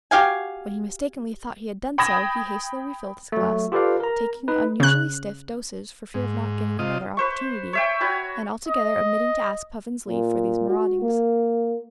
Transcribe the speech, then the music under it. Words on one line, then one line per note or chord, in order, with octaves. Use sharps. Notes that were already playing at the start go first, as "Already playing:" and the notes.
When he mistakenly thought he had done so, he hastily refilled his glass, taking unusually stiff doses for fear of not getting another opportunity, and altogether omitting to ask Puffin's leave for these maraudings.
F#4 G4 F5 G#5
G5 B5 D#6 G#6 A#6 E7
F#3 A3
F4 G4 A4 B4 D5 F5
A#4 A#5
D#4 B4
C#3 F#6
G#2
C3 F4 D#5
B4 C5 C#6
C#5 E5 G5
F#4 C#5 G#5 B5
D#5
A#2
F#4
A#3